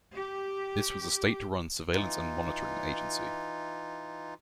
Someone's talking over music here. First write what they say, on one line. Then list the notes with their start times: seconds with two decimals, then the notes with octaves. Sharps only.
This was a state-run surveillance and monitoring agency.
0.14 G4
1.93 E3 D#4 F4